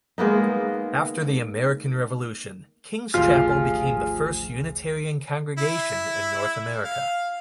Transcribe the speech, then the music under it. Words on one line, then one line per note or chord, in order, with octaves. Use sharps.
After the American Revolution, King's Chapel became the first Unitarian congregation in North America.
G#3 A#3 B3 D#4
G#1 D2 F3 F4 G4 G#4 F6
E4
F5